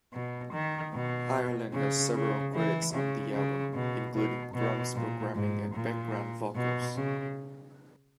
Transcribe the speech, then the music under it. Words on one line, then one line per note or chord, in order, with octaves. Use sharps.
Ireland has several credits on the album, including drums, programming, and background vocals.
B2
D#3
B2
C#3
C#3
E3
C#3
C#3
B2
B2
B2
A#2
G#2
A#2
B2
C#3